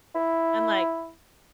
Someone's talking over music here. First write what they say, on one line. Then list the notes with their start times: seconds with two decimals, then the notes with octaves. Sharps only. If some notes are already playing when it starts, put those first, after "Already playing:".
And like
0.15 E4